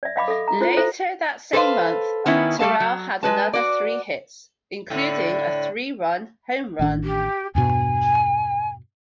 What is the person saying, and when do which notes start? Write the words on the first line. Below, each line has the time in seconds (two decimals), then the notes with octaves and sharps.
Later that same month, Terrell had another three hits, including a three-run home run.
0.03 D5 E5
0.16 D#5 F5 B5 D6
0.28 A4 E5
0.48 A#5
0.61 E4 F4 C5
0.77 A4 C5 E5
1.53 A4 B4 C5 D5 F5
2.26 D#3 B3 C#4 E4
2.59 G3 A3 A4 F5 A5
2.80 F#3
3.23 G#3 B4 A5
3.53 F#4 D5
4.90 A2 D3
6.79 A1 D#3 D4
7.04 G4
7.55 E2 G2 B2 G#5